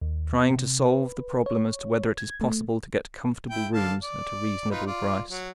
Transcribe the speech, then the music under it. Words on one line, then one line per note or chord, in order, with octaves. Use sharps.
"Trying to solve the problem as to whether it is possible to get comfortable rooms at a reasonable price."
D#2
B3
C3
B4
C#5
G#6
A3
E4 G5
D3 F5 A5
D5
D#4 F4 B4
F4 D5
F#3